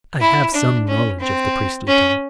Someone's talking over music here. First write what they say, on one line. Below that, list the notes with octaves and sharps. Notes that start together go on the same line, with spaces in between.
"I have some knowledge of the priestly tongue."
E4
D4
C#4
C4
C#4